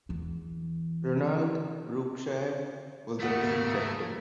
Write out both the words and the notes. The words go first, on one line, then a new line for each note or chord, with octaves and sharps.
Ronald Brookshire was the team captain.
E2 E3
D#2 G#2 C#3 A3 A#3 F#5 B6